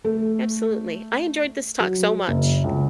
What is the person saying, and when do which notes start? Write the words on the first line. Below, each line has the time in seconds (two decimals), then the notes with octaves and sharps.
Absolutely. I enjoyed this talk so much.
0.04 A3
1.80 F#3
2.28 F#1
2.64 C#2